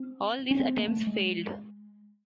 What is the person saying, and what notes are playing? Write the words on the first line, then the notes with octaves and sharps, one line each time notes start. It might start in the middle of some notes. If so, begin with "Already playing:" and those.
All these attempts failed.
Already playing: C4
C#4
C4
A#3
A3
G#3